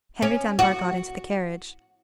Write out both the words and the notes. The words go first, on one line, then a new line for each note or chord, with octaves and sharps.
Henry Dunbar got into the carriage.
C#4
F#4